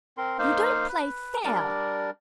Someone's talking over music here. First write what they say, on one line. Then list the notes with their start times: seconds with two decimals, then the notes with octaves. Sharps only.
"You don't play fair."
0.17 C4 A#4 C6
0.39 A#3 D#4 C5 F5
0.89 B4
1.44 G3 D4 A#4 D5